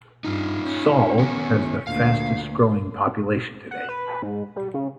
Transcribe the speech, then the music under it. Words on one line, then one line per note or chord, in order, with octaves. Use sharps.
Sal has the fastest growing population today.
G2 D#4 F4
C#4
D#3 B3 G#5
D2 A#2 F5
F#5
B4
G#2
G3
C#3